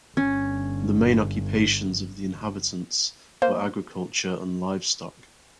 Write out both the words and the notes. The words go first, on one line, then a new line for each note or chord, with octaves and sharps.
The main occupations of the inhabitants were agriculture and livestock.
G1 C#4
A#3 C5